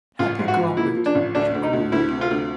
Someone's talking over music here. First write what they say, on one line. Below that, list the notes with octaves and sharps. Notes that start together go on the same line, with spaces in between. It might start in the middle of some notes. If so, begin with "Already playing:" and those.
"Happy carpet!" she crooned.
A1 F4
G#2
F#4
F3
A#3 E4
F3
D4
A1
D2 D4
D2
D#4
D2
D2 E4
C3
F4
D2